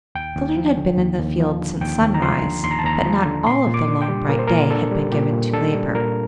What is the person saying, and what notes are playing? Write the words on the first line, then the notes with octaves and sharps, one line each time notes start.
The children had been in the field since sunrise, but not all of the long bright day had been given to labor.
D#2 G5
D#2
F3
D3
D#2
D#2
F3
D3
D#2 G5
D#2
A#5
F3 C6
D3
D#2 C6
A#5
A5
D#2 A#5
F3
D3
A#2 C6
A#2
D6
D4
G5
G3
A#2 A#4
C5
A#2 A#4
D4 A4
G3
A#2 G4
A#2
D4 A4
G3
A#2 A#4